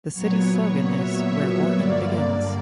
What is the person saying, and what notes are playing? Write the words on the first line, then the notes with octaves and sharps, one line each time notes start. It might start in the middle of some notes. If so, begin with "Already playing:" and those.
The city's slogan is "Where Oregon Begins".
A#2 F#3 B3 C#5
E5
G2 D3 A#3 D5